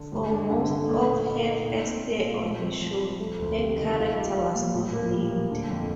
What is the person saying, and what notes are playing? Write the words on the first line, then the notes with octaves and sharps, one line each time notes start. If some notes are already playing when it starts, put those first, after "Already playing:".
For most of her first year on the show, her character was not named.
Already playing: D3
G2
D4
D3
A3
A#2
A#2
D#4
D#4
A#2
C4
A#2
F4
F3
C4
F3
F3
A3
D2
C3
D#3
F4
G3
F4
A#2
A2
A#3
G3
A#3
D3
F2